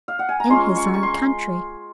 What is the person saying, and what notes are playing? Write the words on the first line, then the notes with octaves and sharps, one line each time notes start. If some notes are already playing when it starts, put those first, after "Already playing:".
"In his own country."
F5
F#5
G#5
A#5
G#3 C#4 F4 C6
C#6
C#6
C6